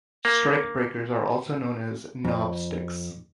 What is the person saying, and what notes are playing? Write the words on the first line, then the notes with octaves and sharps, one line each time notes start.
Strikebreakers are also known as "knobsticks".
A#3
F2